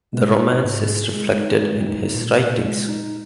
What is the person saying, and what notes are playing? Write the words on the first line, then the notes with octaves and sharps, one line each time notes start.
The romance is reflected in his writings.
G#3
D#4
G#2
G#4
G#3
D#4
G#3
D#4
A#2
A#2
G#3
D#4